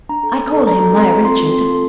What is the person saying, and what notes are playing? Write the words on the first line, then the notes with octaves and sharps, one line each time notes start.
I call him my Richard!
D4 A#5
A4
D4
A4
D4 A#5
A4
C4 A#5
F4 A4
C4 C6
F4 A4
C4
F4 A4